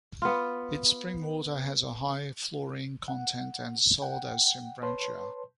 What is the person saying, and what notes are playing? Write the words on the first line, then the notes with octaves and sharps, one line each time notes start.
Its spring water has a high florine content and is sold as 'Sembrancher'.
B3 F4
F#5
F#5 G5
B4 C#5 A5 C6